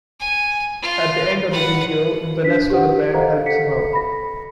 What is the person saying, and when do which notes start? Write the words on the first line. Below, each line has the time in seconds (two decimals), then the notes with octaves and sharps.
At the end of the video, the rest of the band helps him up.
0.20 G#5
0.82 F4
1.51 B4 F#5
2.43 D4 B4 B6
2.70 G4 F#5
3.14 A4 C5 D#5 F5 F#5 A#5
3.46 A4 B6 C#7
3.93 B5 A#6